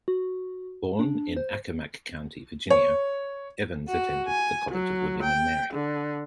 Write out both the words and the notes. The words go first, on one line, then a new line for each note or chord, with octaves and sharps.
Born in Accomack County, Virginia, Evans attended the College of William and Mary.
F#4
D4
C5
C#5
F#4
G#5
F#3
G5
D3